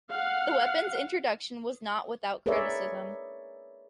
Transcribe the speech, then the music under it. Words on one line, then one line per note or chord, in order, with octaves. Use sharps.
The weapon's introduction was not without criticism.
F5 F#5
G#4 A#4 B4 C#5 D5 E5